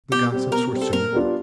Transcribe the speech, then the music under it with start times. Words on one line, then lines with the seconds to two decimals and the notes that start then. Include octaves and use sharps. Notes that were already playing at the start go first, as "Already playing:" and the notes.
The gossips were soon at work.
0.12 B2 G4
0.32 G3 C4
0.52 B2 A#4
0.73 G3 C4
0.82 A4
0.93 A#2 A#4
1.12 G3 B3 D4 F4